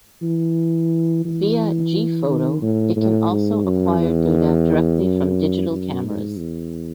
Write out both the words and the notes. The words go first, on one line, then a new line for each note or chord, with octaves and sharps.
Via gPhoto it can also acquire data directly from digital cameras.
E3
E3
D#3
A2
A2
G#2
F#2
E2
F#2
F#2
G#2
E2